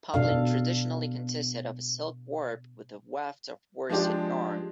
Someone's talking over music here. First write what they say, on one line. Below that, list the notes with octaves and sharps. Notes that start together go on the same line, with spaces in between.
Poplin traditionally consisted of a silk warp with a weft of worsted yarn.
B2 D4 A4 F5
F3 G#3 D4 G4